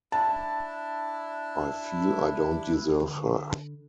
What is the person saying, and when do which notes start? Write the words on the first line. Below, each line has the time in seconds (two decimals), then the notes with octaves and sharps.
I feel I don’t deserve her.
0.12 D4 E4 A5
3.02 D3